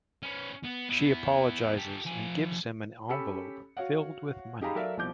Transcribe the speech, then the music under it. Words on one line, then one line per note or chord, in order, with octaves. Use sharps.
She apologizes and gives him an envelope filled with money.
B3 C#4
B3
B3 E4
G4 A4
F3 G#5
C#4 G4 A4 B5 E6 C#7
F#4 C#5 F5 F#5
D#4 G4 G#4 F5 A#5 B5
F#3 A4 A#4 D5 E5 F5
C2 B2 F3 D6 G6